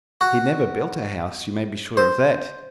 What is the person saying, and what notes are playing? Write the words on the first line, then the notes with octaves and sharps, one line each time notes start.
He never built a house, you may be sure of that.
F#4
C5